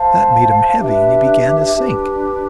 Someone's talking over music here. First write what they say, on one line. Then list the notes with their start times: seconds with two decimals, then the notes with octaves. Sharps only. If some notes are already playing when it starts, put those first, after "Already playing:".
That made him heavy and he began to sink.
Already playing: C5 F5 A5
0.80 D4 G4 B4 E5
1.73 D4 G4 B4